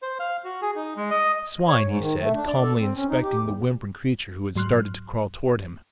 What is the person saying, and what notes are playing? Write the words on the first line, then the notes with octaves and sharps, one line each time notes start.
"Swine," he said, calmly inspecting the whimpering creature who had started to crawl toward him.
C5
F5
F#4
G#4
D#4
G#3
D#5
C#5
G#2
D#3
A3
D4
D5
A4
C4
C#4
D#4
G4
E2
G#2 F#3 C6 F6 F#6